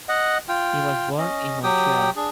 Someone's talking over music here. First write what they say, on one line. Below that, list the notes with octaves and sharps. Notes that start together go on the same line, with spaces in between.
He was born in Montreal.
D#5 F#5
F4 G5
C#4 D#5
F#3 G4 G5 D#6
D4 G#4